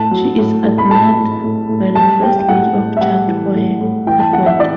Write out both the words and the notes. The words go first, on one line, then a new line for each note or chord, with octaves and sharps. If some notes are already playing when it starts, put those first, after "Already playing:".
She is admired by the first lady of Chad for her hardwork.
Already playing: A2 A5
F#3
A2
A2
B5
A2 A5
A2
A2
A2
G3 A5
G3 G5
G5
A2 F#5
A2
E5
G3 F#5
E3
A2
A2
E3 G5
A5
E3 F#5
E5
E3 D5